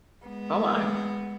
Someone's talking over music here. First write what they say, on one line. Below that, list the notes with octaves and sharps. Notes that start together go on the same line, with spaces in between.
Oh my.
G#3 B3